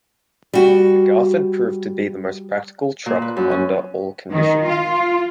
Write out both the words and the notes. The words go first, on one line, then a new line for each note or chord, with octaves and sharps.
The Garford proved to be the most practical truck under all conditions.
G3 F#4
A#2
B4
F#2
C#4
D#3
F4